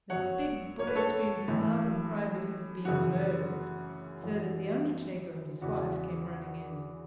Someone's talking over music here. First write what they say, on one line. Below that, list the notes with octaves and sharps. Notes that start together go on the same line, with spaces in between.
The big bully screamed for help and cried that he was being murdered, so that the undertaker and his wife came running in.
F#2 F#3 C#5 F#5
C#5
B4
A4 C#5
A2 E3
F#2 C#3 E3 F#4
F#2 E3
E2 C#3 E3 F#4